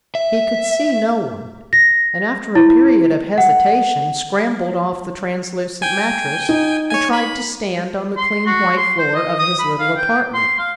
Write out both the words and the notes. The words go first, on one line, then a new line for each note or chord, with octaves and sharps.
He could see no one, and after a period of hesitation scrambled off the translucent mattress and tried to stand on the clean white floor of his little apartment.
E5
A#6
E4
F#5
G5 G#5
D#4
C#5 G#5
B5
C6
F#4
C6
C5
D#5
D#6
B5
F5
G5
C6
F5